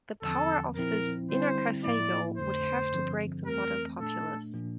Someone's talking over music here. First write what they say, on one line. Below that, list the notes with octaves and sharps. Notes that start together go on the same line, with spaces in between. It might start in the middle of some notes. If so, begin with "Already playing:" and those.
The power of this "inner Carthago" would have to break the modern populous.
E2 D3 F3 C4 A4
A#2 F3 C4 E4 A#4
D3 G3 C4 E4 C5
A2 F3 A#3 E4 D5
F2 D3 A3 C5
G2 D3 F3 C4
F2 E3 A3 C4 A#4
A#2 A3 D4 A4
A#2 F3 A#3 D4